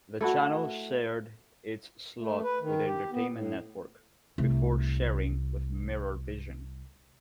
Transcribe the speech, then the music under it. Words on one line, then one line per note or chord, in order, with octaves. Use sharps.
The channel shared its slot with The Entertainment Network, before sharing with Mirrorvision.
A3 E4 F#4
A3
B4
D#3
G4
B3
A2
C2 A3